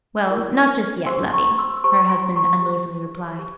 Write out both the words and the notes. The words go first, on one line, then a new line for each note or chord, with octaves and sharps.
"Well, not just yet, Lovey," her husband uneasily replied.
E4 G4 A#4
G4 C5 C6 E6
A#5 C#6
C6 E6
E6
G4 C5 A#5 C#6
G#5 C6
A#5 C#6
G4 C5
G4